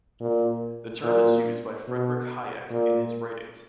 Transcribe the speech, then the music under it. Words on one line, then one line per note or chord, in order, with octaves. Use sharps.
The term is used by Friedrich Hayek in his writings.
A#2
A#2
B2
A#2